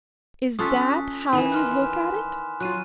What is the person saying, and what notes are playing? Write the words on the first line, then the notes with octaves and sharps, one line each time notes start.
Is that how you look at it?
C#4 F4 A4 D#6 F#6 B6
D#3 E3 G#5 B5 E7
C6 F6 F#6
F#3 F4 F#6 D#7